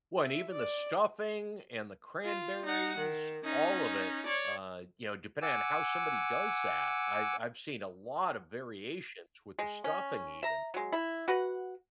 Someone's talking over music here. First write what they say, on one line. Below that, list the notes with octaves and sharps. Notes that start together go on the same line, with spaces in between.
Well, and even the stuffing and the cranberries, all of it. Uh, you know, depending on how somebody does that, I've I've seen a lot of variations with the stuffing even,
E5
D5
F4
D#4 F#5
D#3
C#4 D#4
C#5 D5
F#5 G#5 D6 E6
G#3
C#4
E5 A#5
F#3 G#3
E4
F#4 B4 F#5